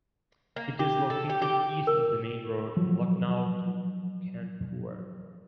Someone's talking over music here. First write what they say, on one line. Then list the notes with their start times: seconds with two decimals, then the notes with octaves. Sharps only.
It is located east of the main road from Lucknow to Kanpur.
0.56 A#3
0.79 G4
1.10 A4
1.30 G4
1.42 G4
1.87 A#4
2.77 F3 F#3